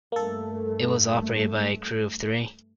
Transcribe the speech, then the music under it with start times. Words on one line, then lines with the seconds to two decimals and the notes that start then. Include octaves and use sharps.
It was operated by a crew of three.
0.12 G2 A3 A#3 A4